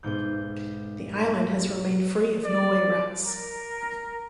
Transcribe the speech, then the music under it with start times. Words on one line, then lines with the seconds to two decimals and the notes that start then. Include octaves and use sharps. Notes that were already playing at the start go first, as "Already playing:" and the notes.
The island has remained free of Norway rats.
0.03 B1 G#2 G6
2.44 D5
3.22 A#4